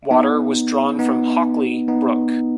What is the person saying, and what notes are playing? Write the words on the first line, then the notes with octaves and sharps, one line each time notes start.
Water was drawn from Hockley Brook.
B3 D#4
B3 D#4
B3 D#4